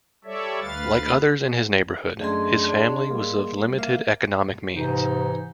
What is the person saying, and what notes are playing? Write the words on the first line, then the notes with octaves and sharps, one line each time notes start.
Like others in his neighborhood, his family was of limited economic means.
G3 A4 C#5 D5 E5
D2 B4 F5 A6
F#2 A3 D4 G#4 D#5 C6
D4 C#5
G3 A#3
A#3 E5 F5
G#2 C3 E3 D#4